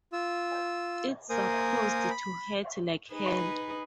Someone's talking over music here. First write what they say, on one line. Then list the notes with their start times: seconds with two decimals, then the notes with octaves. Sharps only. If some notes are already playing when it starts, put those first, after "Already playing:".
It's supposed to hurt like hell.
0.13 F4 E6
1.30 A#3 A#4 C5 G#5 D#6
2.10 B5
3.13 D#4 G#4 B4